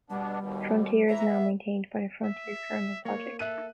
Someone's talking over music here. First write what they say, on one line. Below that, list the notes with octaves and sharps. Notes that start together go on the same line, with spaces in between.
Frontier is now maintained by the Frontier Kernel Project.
B2 G3 B3 D4
D#2 B2
E3 E5 A#5
B3
E5
A#3 C#5
A4 E5 F#6 D#7